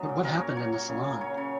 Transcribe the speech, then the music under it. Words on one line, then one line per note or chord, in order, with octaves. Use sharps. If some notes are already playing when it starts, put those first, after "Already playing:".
But what happened in the salon?
Already playing: C#3 F#3 G#3 F#4
A#2
A#2 A#4
A#2 C#5
F#3 C#5
F#3
C#3
C#3
F#3 C#5
C#3 C#5